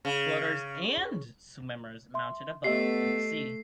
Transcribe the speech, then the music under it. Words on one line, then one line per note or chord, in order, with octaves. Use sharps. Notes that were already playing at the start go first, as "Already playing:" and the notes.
Floaters and swimmers mounted above in the sea.
C#3
E5 C6
A3 B3 G4 A4 D#5 C7